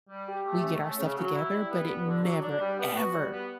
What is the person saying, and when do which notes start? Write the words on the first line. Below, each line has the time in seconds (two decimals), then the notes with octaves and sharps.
we get our stuff together, but it never ever
0.10 G3
0.28 G4
0.46 A3
0.63 C#4
0.81 A3
0.99 C#3
1.17 F#3
1.35 E4
1.53 G3
1.70 B3
1.88 G2
2.07 D3
2.24 F#3
2.42 D4
2.60 G3
2.78 B3
2.96 F#4
3.14 G3
3.32 B3